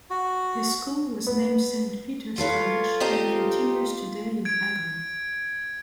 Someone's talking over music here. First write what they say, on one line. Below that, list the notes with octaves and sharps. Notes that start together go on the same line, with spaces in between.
This school was named Saint Peter's College and continues today in Agra.
F#4
B3
F4 A4 B4 C#5
C4 D#4 G4
G#6 D7